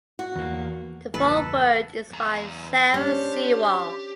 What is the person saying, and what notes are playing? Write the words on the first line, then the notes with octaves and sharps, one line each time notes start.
The foreword is by Sarah Sewall.
F#4
E2 A#3
G1 E2 C#3 E3 A#3 A4 B4
E2 A#5
C#4 D4 G4 C5